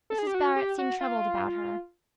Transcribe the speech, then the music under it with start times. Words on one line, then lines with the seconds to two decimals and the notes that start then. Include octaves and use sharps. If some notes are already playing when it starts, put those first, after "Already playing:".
Mrs. Barrett seemed troubled about her.
0.10 A4
0.18 G#4
0.27 G4
0.34 F#4
0.56 G4
0.78 F#4
1.01 F4